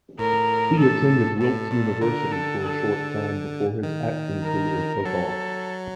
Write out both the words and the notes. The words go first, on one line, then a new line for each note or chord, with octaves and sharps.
He attended Wilkes University for a short time before his acting career took off.
A2 A#4
A4
A2 A4
A#2
D3 A#4
A4
A4
D#3
A#4
F#3 A4